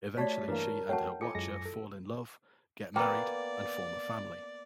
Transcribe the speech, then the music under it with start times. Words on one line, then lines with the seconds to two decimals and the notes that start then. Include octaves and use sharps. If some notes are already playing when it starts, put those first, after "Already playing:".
Eventually she and her Watcher fall in love, get married and form a family.
0.17 A3 F#4 G4 C#5 D5 A5 B6
0.48 G2 E3 A#3 A#4
0.89 A3 F#4 C#5 F#5 G5 A5
1.21 E4 F4 A4 G#5 D6 C#7
1.35 F#2 G#3 A#6
1.65 A4
2.96 A#3 B3 D5 G5 A#5